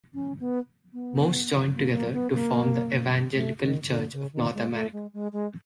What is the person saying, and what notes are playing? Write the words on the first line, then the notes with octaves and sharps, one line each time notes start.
Most joined together to form the Evangelical Church of North America.
C#4
B3
B3
A#3
A#3
B3
A#3
A3
D#3
D3
C#3
D#3
G#3
A3
G#3
G#3
G#3